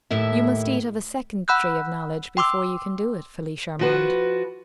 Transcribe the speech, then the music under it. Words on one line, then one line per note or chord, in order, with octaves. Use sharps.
"You must eat of a second tree of knowledge before you can do it, Felice Charmond."
D#2 A2 E4 E5
F#5 B5 E6 F#6 G6
G5 C6 D6 E6
F3 F#4 B4